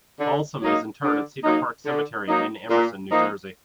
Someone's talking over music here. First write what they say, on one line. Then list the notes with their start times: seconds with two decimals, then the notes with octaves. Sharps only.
Balsam is interred at Cedar Park Cemetery, in Emerson, New Jersey.
0.20 D3
0.61 F#3 A#3 D#4
1.03 D3
1.44 F#3 A#3 D#4
1.86 D3
2.28 F#3 A#3 D#4
2.70 A#2
3.10 F3 A#3 D#4